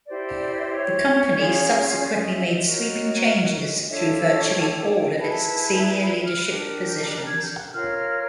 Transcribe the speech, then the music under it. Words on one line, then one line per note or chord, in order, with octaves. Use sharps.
The company subsequently made sweeping changes through virtually all of its senior leadership positions.
E4 G4 C5 D5
C#5
C#4 F4 G#4
D5
D#5
E5
D#5
F#4 A#4 C#5
D4 F4 A4 C#5 E5
G5
E4 G#4 B4 A5
A5
A#5
B5
F6
D4 G4 A#4 F#6
F#6
G6
F#6
G#6
G6
F#6
F4 A#4 C#5 F6
F6